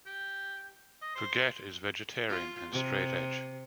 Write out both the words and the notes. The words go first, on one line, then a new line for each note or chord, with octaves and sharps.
Puget is vegetarian and straight edge.
G4
D#5
C5
F4
C3